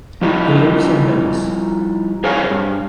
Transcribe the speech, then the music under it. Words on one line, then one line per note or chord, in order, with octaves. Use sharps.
He lives in Venice.
F3 G3 D#4 E4
G#4 A#4 C5 C#5 F5 G#5
G2